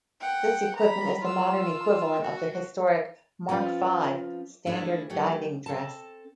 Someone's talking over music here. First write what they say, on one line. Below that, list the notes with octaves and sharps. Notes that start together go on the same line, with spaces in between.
This equipment is the modern equivalent of the historic Mark Five "Standard Diving Dress".
F#5 G5
A#5 B5
F4 E6
F#4
F3 C4 C#4 F4 B4
A3 D4 E4 G#4
F#3 A3 G4
C4 A4 A5